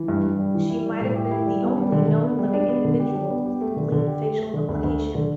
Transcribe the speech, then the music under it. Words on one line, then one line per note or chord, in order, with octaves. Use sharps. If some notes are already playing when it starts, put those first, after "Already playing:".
She might have been the only known living individual with complete facial duplication.
Already playing: E3
G2
G2
G3
E3
E4
G3
A2
G4
E4
G3
B3
G3
D3
D3
B3
G3
D4
B3
D3
G4
D4
B3
G4
A3
D3
D3
G4
A3
A3
D3
D2
D2
A3
D3